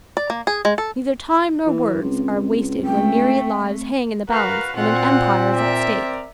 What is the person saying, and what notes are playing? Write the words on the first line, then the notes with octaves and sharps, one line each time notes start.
Neither time nor words are wasted when myriad lives hang in the balance and an empire is at stake.
D5
A#3
G#4
G#3
A4
E3
C#2 C4
A3 G5
F#4 A#4 B4 F5
A#2 C4 F4 F#4 F#5
A#4 D5 E5